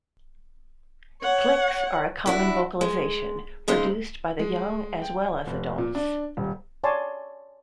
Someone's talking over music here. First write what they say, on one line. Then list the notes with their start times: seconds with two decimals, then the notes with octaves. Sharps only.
'Click's are a common vocalization, produced by the young as well as adults.
1.21 C#5 F#5
2.26 D4 E4 F#4
2.81 G#3
3.68 C#3 G#3 C4 D#4
4.39 G#3
5.02 G5
5.47 F1
5.78 A#2
5.95 D4
6.37 D#1
6.84 C#5 D5 G#5 A5 C6